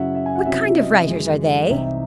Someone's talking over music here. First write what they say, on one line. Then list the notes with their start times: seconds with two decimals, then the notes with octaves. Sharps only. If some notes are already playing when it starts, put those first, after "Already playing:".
What kind of writers are they?'
Already playing: F#2 C#3 F#3 C#4 E4 E5 F#5
0.15 E5
0.26 G#5
0.36 F#5
0.45 C3 F#3 C#4 E4 E5
0.61 E5
0.77 D#5
1.07 F#2 E3 G#3
1.69 C2 C3 E3 C4 D#4 E5
1.85 E5